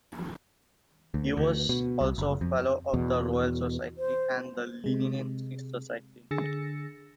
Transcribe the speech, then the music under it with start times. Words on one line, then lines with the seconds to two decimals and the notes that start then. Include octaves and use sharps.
He was also a Fellow of the Royal Society and the Linnean Society.
1.14 D2
1.37 D2
1.69 B2
2.01 C2
2.18 F#1
2.41 F2
2.93 E2 B2
3.98 C5
4.84 C3 G#3
6.31 D3 G#4 E6 A6 A#6 C#7